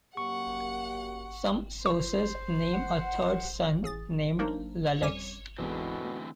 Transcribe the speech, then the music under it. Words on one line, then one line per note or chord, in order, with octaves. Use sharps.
Some sources name a third son, named Lelex.
F#2 A#3 G4 F#5 C#6
C5 C#6
F#5
A1 G#4 D#6 A6
F#3 A#3 D4 D#4 A#4 C5
F2 G3 C#4 D6 D#7
E2 G#2 B2 D3 E3 C4
A3